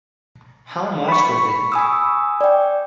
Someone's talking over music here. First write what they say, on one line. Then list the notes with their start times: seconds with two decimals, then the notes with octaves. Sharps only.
How much was it.
1.08 B5 C#6
1.72 G#5 D#6 E6
2.41 D5 G5